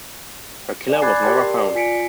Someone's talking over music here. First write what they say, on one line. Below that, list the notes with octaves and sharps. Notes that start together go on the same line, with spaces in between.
Her killer was never found.
D5 G#5
B5 D6 F#6 G#6 A6 C7
G4 A#4 D5 G5 A5 C6
C7
D5
F4 G#5 B6 C#7 D7